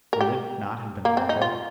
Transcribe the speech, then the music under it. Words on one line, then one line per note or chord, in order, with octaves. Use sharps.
Would it not have been awful?
A#4
G4
A#3
C4
D#4
F4